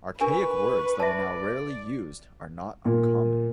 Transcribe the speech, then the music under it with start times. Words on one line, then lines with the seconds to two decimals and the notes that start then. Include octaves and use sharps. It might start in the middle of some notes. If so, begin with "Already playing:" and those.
Archaic words that are now rarely used are not uncommon.
0.21 D4 A#4 B4 G#5 C#6
1.00 D5 E5 A5
2.85 A#2